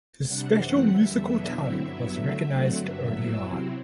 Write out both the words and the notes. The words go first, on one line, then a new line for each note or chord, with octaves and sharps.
His special musical talent was recognized early on.
C3 G3 D4 F#5
F#2 E3 A3 C4 F#5
E2 D3 G3 E5
E2 B2 F#3 B3 D4 E5
D3 F#3 C4 E4
G2 F#3 B3 E4 E5
D3 F#3 A3
D3 F#3 A3 C4 F#5
G2 D3 F#3 E5
A2 F#3 B3 E4
C3 F#3 C4 E4